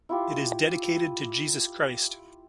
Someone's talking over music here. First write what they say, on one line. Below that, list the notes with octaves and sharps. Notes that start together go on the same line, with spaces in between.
It is dedicated to Jesus Christ.
E4 F4 G4